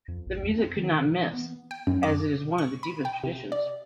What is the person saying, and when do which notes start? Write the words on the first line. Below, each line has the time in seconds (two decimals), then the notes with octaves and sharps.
The music could not miss as it is one of the deepest traditions.
0.08 F2
0.26 A#1
0.42 F2
0.58 C4
0.77 D#3
1.12 E3
1.34 B3
1.71 G5
1.87 F#2
2.03 D6
2.58 C#6
2.83 B5
3.05 G5
3.23 C3
3.52 D5